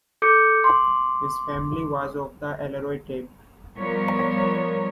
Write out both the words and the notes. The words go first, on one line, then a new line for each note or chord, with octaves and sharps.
His family was of the Alaroy teip.
A4 D6 G6 C#7
C6 D6
F3 G3 B3 A#4 C#5